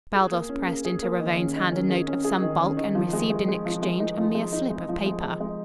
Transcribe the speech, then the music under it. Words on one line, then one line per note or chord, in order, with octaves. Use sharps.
Baldos pressed into Ravone's hand a note of some bulk and received in exchange a mere slip of paper.
G#4
A#3
C#4
A#3
G#4
A#3
D#3
C#4
D#3
C#4
G#4
C#4
G#4
D#3
C#4
D#3
F3
G#3
G#3
G#3
F3
G#3
D#4
F3
G#3
D#4
G#3
F3
G#3
G#3
G#3